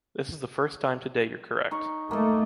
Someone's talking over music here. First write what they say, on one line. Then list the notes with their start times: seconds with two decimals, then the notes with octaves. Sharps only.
This is the first time today you’re correct.
1.71 D#4 C#6
2.11 A3 A#3 D#5